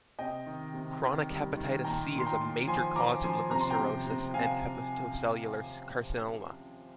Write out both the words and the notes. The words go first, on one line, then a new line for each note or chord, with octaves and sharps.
Chronic hepatitis C is a major cause of liver cirrhosis and hepatocellular carcinoma.
C3 D#5 G5
D#3
C3
D#3
G3
D#3
A#2 G5 A#5
A#2
C6
G5 A#5
A#2
F3 G#5 C6
F3 A#5 D6
F3 G#5 C6
C3 A#5
C6
G5 A#5
C3
C3
C3 F5 G#5